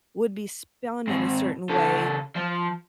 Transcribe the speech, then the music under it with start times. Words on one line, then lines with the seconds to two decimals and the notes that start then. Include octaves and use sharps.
would be spun in a certain way
1.08 G#2 C4
1.69 C#3 A4
2.36 F3